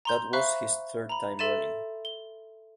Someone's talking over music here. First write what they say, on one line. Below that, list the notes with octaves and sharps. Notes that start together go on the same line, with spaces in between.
That was his third time running.
A#5 C6 G6
C5 E5 F5 B5 C#6 F#6
A#5 B5
A4 E5 C6 A6 D#7 E7
G7